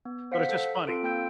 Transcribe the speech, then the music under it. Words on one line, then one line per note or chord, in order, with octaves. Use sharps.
But it's just funny.
B3
C5 F5 F#5 B6
A4
C4 F4 A4 D7
A#3 F4 G5 E6 G6 D7